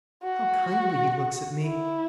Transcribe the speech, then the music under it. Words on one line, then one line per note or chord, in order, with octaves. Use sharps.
How kindly he looks at me!
F#4
E4